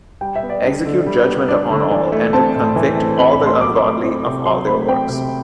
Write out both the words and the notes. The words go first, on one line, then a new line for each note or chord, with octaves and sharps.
Execute judgment upon all, and to convict all the ungodly of all their works.
G3 G5
E5
B3
D5
D4
D3
G3
B3
D4 D5
D3
E3
A3
C4 A5
A2
E3
A3
C4 B5
B5
A2
C6
F#3 D6
A3
C4
C3
F#3 C6
A3 B5
C4 G5
C3